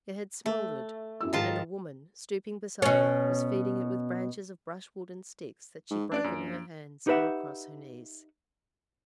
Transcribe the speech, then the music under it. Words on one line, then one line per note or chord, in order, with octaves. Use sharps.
It had smouldered; and a woman, stooping beside it, was feeding it with branches of brushwood and sticks that she broke in her hands or across her knees.
A3
F#2 E4 E6
G#2 D#3 F3 F4 A5
B2 C#4
G#2
A1 D4 D5 D7
A#1 F#2
D#4 G4 B4 C5 E5 F#5